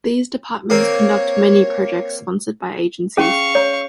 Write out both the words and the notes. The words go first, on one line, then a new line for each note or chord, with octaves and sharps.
These departments conduct many projects sponsored by agencies.
A#3 C4 C#5
C#4 G#4 F5 C#6
C#5